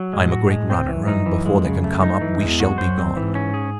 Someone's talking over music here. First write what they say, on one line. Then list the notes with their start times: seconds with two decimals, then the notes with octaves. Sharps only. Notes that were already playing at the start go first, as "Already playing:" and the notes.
I am a great runner, and before they can come up we shall be gone.
Already playing: F#3
0.13 A2 G#3
0.32 F#4
0.50 G#3
0.70 C4
0.88 F#2 E3
1.08 D#4
1.26 E3
1.46 G#3
1.65 C#3
1.84 A3
2.02 D#4
2.21 E3
2.41 E2 G#3
2.60 F#4
2.78 F#2 C5
2.98 C4
3.17 G#2 E3
3.35 C#4
3.54 G#4